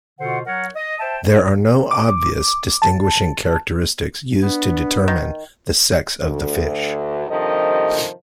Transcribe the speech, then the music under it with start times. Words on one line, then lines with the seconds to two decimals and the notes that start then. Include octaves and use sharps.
There are no obvious distinguishing characteristics used to determine the sex of the fish.
0.19 B2 D3 F4 C5 F#5
0.46 F#3 A#4 C#5 F#5
0.74 D#5
0.99 C5 E5 G5 A5
1.91 D6
2.82 A5
4.43 B3 D4
5.08 D#3
6.26 D2
7.27 G2 C3 D#3 F3 A4 D#5